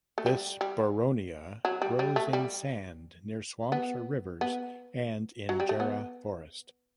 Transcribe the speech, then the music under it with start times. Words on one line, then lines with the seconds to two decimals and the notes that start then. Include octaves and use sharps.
This boronia grows in sand near swamps or rivers and in jarrah forest.
0.18 A3
0.26 G3
0.61 G3
1.65 F#3
1.82 G3
1.99 G3
2.16 A3
2.33 G3
3.72 B3
4.41 B3
5.49 F#3
5.60 G3
5.69 A3
5.80 B3